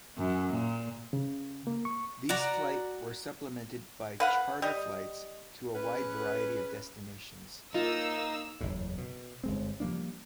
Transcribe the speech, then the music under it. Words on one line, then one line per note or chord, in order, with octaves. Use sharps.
These flight were supplemented by charter flights to a wide variety of destinations.
F#2
A#2
C#3
A#3
C#6
F#4 D5 A#5
B4 F5 F#5
G3 D#5
C#4 G#4 B4
A#3 D#4 F4 E6
F#1 E2 A2
B2
G1 G#3 C4
F3 G3 A#3 D4